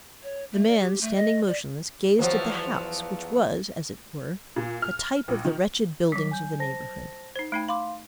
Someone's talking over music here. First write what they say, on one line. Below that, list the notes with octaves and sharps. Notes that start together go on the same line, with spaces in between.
The man, standing motionless, gazed at the house, which was, as it were, a type of the wretched buildings of the neighborhood.
C#5
A3
D5
G4
A3
D#5
D5
E2 F3 F#3
A#2
F6
A#1
D#3
F#3 G3 D6 B6
G#5 G6
C5 A5 A#6
D#4 C5
A3 D#4 G5 B5 G#6
F5 B5 C6 D6